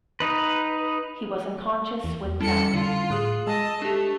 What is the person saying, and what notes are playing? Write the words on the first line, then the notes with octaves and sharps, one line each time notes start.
He was unconscious when found.
D#4 B4
E2
F2 G3 C#4 E4 A4 C#7
D3 F4
A2 G#4 D#6 F#6
G#3 D#5 A5 E6
A3 D4 G4